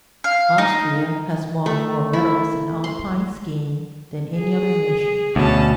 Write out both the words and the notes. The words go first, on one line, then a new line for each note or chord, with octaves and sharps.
Austria has won more medals in alpine skiing than any other nation.
F5
D#4
A3
E4
C6
G#4
D2 B2 C#4 A5